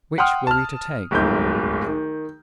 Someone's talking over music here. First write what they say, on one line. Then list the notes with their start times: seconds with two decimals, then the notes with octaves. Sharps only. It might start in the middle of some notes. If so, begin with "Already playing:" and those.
Which were we to take?
0.18 F#5 G5 C6 D#6 F6
0.47 A5 F6
1.11 D1 G1 C#2 D#3 F#3 G6
1.86 D#3